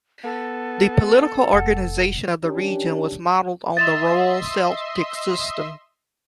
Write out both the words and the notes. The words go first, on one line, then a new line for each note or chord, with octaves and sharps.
The political organization of the region was modeled on the royal Celtic system.
B3 A4
F1 F#5
D#3 C#4 D4 G4
D#5 E5 C6 A6 E7 F7